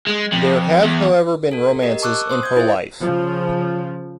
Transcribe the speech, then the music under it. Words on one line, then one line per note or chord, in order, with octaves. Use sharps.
There have however been romances in her life.
G#3
F2
E2
F#4 A4
G4 A#4 D#5
A5 C#6 D6 E6 F#6
C5 C6 D#6
G6 G#6
E4 G#4 C5 E5
C#3 F3